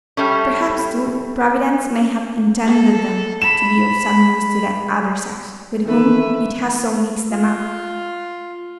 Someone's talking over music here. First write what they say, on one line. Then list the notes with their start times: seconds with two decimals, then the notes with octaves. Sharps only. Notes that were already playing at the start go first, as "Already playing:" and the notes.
Perhaps, too, Providence may have intended them to be of some use to that other sex, with whom it has so mixed them up.
0.17 G3 A3 C#4
2.65 A4
3.42 B5 E7
5.85 D#3 E3 A3 B4 E5
7.30 F4